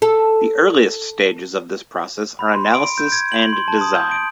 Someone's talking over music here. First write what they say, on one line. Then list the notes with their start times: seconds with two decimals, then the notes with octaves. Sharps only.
The earliest stages of this process are analysis and design.
0.02 A4
2.39 B5
2.54 C6
2.74 D7
2.98 G6
3.12 G#6
3.32 F#7
3.53 C6
3.68 A5
3.81 D#6
3.95 G6
4.11 D7